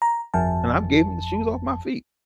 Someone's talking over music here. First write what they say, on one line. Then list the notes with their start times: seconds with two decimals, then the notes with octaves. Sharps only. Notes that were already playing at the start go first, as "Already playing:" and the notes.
and I've gave 'em the shoes off my feet,
0.02 A#5
0.34 G1 F2 A5